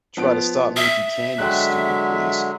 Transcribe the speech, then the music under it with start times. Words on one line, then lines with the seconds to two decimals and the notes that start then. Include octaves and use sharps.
Try to stop me if you can you stupid police...
0.17 F3 B3 D7
0.76 E5 D#6 E6 G7
1.38 D3 F#3 G#3 G5 F#6